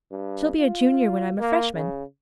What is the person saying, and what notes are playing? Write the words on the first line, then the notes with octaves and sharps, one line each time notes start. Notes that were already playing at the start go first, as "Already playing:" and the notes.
She'll be a junior when I'm a freshman.
G2
F4
A#3
C#3